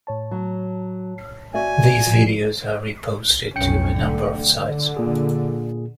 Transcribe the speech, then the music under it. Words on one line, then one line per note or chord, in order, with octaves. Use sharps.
These videos are re-posted to a number of sites.
A2 C#5 A5
F#3
F#4 D5 E5 G#5
G#2 F3
B1 F2 C#4 G5 C#7
D3 A3
D3
A#2 G#4